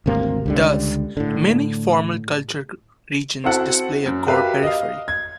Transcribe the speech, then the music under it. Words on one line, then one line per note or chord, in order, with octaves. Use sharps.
Thus, many formal culture regions display a core-periphery.
G#1 D2 C3 A#3
C#2 D3 G3
A2 D3
C4 E4 F#4 A4 F#5
F#2
F#4 G4 A#4 B4 E5 F5
D#5 F5
G#6